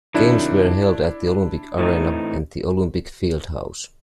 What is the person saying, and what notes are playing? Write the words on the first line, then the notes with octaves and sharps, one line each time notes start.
Games were held at the Olympic Arena and the Olympic Fieldhouse.
C3 D#3 F#3 D4 E4
A2 E3 A3 C4 D#4